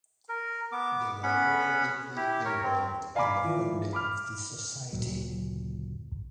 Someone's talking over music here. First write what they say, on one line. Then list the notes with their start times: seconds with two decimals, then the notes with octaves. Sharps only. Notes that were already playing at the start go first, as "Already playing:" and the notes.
They were all deeply involved in the founding of the society.
0.29 A#4
0.72 B3 D6
1.23 B3 C#4 F#5 B5
2.16 E4 G4
2.45 A#4 C#5
2.64 C4
3.15 D5 F5 G#5 A#5 B5 D6
3.44 E3 F3
3.93 B5 D6 F6
4.92 F#1 D2 A#2 F#3